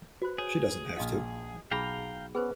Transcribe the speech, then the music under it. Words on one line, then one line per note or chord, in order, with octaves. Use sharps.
She doesn't have to.
F#4 B4 C5
G#4 C#5
A#1 F4 D#5 F5
B1 G#4 F5 G5 A#5 B5
B3 C#4 G#4 B4 C5